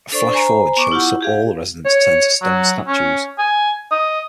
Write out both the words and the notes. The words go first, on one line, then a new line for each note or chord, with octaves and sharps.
A flash-forward shows all the residents turned to stone statues.
D4 A4 C5 D5 C#6
C5 G#5 A#5 B5
B3 C#6 D6
E4 F4 G4 F#5
G4 G#4 F5
C#5
F#3
C#4
G#5
D#5